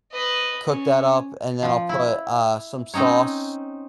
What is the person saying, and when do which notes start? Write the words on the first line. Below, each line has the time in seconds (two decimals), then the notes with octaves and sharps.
cook that up, and then I'll put, uh, some sauce.
0.11 B4 D#5
0.67 C#4
1.63 F3
1.89 E4
2.94 C4 C#4 D#4 C#5